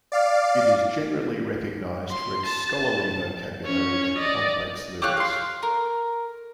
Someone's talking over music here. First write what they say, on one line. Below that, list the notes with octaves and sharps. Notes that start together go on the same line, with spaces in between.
It is generally recognized for its scholarly vocabulary and complex lyrics.
D5 F5
C6
A5
C#4 C#5
D5 D#5
G4 C#5 F5 F#6
F5 C6
A#4